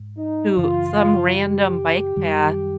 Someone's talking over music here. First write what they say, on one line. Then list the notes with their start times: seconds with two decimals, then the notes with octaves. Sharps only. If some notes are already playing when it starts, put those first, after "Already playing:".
to some random bike path,
Already playing: G#2
0.17 D#4
0.57 F#2 C#3 E3 F4
1.36 G4
2.16 F#2 D#3 G3